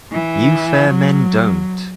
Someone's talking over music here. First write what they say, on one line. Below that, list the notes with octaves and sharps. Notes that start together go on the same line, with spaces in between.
You fair men don't.
E3
F#3